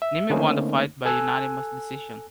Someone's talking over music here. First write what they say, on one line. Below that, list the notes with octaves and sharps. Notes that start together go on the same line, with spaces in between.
Niimi won the fight by unanimous decision.
E5
D3 A3 A#3 C4 C#4 D#4
A4 G#5 E6 F#6